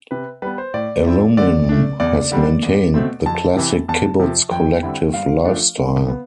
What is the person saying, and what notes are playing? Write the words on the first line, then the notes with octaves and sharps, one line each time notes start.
Alumim has maintained the classic kibbutz collective life style.
C3 B4
G3 B3 B4
C5
A2 D5
F3 C4 E4
D3 D5
A3 D4
E2 D5
D3 G3 D4
E2
B2 A3 C4
F2 A5
C3 E3
E2 A5
C3 F3
F2 G5
D3 G3 C4 E4
G2 F5
F3 A3 D4
B2
B3